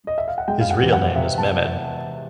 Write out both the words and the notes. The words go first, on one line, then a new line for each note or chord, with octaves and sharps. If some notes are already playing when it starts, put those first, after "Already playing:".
His real name is Mehmed.
D#5
E5
F5
F#5
G#3 G5
F5
F#5
E2
F#5
C3 E5
A5